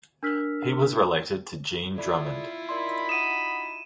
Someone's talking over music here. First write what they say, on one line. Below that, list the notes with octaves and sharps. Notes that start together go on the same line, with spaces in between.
He was related to Jean Drummond.
D4 A#4 E6 F6 B6
E4 F4 A4 D5 B5
D#4 F#4 A#4 D5 B5 C6
F#5 D#6 D#7 E7